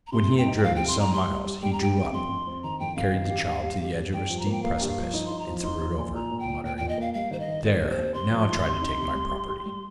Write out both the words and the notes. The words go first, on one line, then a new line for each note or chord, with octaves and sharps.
When he had driven some miles he drew up, carried the child to the edge of a steep precipice and threw it over, muttering, 'There, now try to take my property!'
A#5
C3 C6
C3
G5
D#4
G5
F3 F5
C3 G5
C6
D#4 A#5
G3 C6
G3
G4
G3 G5
A#5
G4 G5
C3
F2 C6
F2
C4
D#3 A#5
F2 G5
F2 F5
D#3
G4
G2
G4
G4
G4
G2 G5
F3
A#5
A#3
G5
A#3 F5
G2
F5
F3
D#4
D#4 C6
A#5
F3
D#4 C6
F3
A#2
A#2 A#5
A#2
G5
A#2
A#2 G5
A#2 G5
D#5
A#3 F5
G3 F5
D#3 C5
D#5
D#3
C4 A#4
D#2
C5
C4
C3 C6
F3
D#4
C3
D#4
C3
G3
G4
G4
G3